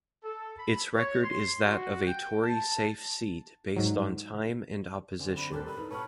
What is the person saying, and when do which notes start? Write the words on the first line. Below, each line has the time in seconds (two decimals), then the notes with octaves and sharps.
Its record is that of a Tory safe seat based on time and opposition.
0.24 A4
0.58 B5
0.94 C#5
1.23 C6
1.64 F#4
2.05 G5
2.42 A5
3.77 G#2 F#3
5.19 F#2 D3 C4
5.37 B5
5.52 F#2 G3 A4 A#4 D6 F#6
5.66 G4 A#4 B5
5.77 D#4 E4 B4
5.91 B2 B3 C4 C#5 A5 B5 C#6 F6